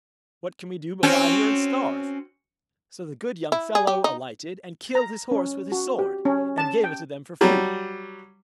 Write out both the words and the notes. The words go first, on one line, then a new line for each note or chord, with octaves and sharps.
What can we do, but lie here and starve?' So the good young fellow alighted and killed his horse with his sword, and gave it to them for food.
C4 C#4 F#4
E4
G#4
G4
D#4
A#5
C#4
F#4
G4
C#4
A5
G5
F#3 G3